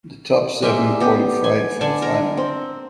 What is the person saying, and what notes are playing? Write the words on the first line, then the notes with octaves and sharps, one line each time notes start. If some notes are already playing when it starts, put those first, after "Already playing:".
The top seven qualified for the final.
G3 G#3 A#3 E5
B3 G4 B4
G#5
D3 D5 G#5 A5
A#4
C4